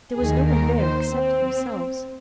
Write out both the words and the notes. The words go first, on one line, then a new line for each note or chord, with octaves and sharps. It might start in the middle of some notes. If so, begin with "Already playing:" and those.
There was no one there except themselves.
D#2 D#3 G#4
A#4
C5
C4